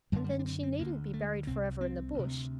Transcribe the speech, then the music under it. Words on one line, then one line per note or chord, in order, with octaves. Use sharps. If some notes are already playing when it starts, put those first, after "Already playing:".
'And then she needn't be buried for ever in the Bush.
F#2 D3 G3
G3
A3
D4
C4
C4
D2 D3 A#3
A3
C2 C3 C4
C4
D2
C3